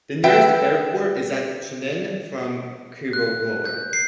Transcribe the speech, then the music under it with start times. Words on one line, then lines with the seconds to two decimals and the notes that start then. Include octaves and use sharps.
The nearest airport is at Chennai, from Cuddalore.
0.24 B4 E5 F#5 G5
3.13 F#6
3.65 G6
3.93 C7